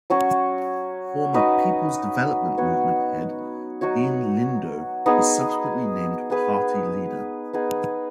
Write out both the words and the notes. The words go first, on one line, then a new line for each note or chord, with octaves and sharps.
Former People's Development Movement head Dean Lindo was subsequently named party leader.
F#3 C#4 F#4 C#5
D#4 F#4 B4 D#5
B3 F#4 C#5
F#3 D#4 F#4 C#5
B3 D#4 G#4
B3 G#4 B4
B3 D#4 G#4